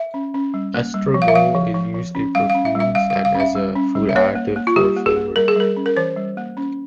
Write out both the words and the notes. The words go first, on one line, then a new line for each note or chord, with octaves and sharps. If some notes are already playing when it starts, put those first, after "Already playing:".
Estragole is used in perfumes and as a food additive for flavor.
Already playing: E5
C#4
C#4
G3
A#3
G3
F3
F5
E5
F3 F5
F3
F3
F3
C#4
G3 F5
F5
C#4
E5
G3
E5
G3 F5
F5
G3
F5
C#4
E5
G3
C#4
G3
E5
A#3 C#5
A#3
A#3
F4
G3 G4
A#3
G#4
A#3
G3 A#4
G#4
G3 A#4
C#4
A#4
E3 C5
G3
A#3
C#4